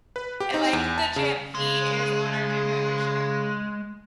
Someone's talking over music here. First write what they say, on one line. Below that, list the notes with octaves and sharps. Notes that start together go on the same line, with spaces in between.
And, like, the gym he is on our gym membership.
B4
G4
D#4
E2
A5
C#3
C#3 G#3